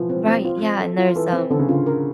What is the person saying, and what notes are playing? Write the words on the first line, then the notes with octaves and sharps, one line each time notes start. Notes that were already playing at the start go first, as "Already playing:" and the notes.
Right, yeah, and there's, um
Already playing: B2 E3 F3 F4
C4
C4
F4
C4
A4
F4
E3 A4
C4
D3 A4
C#3
D3 F4
A#4